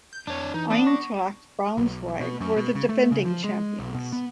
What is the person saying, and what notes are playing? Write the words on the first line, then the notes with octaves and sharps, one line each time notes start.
Eintracht Braunschweig were the defending champions.
G6
F2 D4 C#5
E3 D#4
B3 D4
C#6 A#6
B1
B2
F#2
B2
C#3
A3
C#3
F3
G#3
B1
B2
B3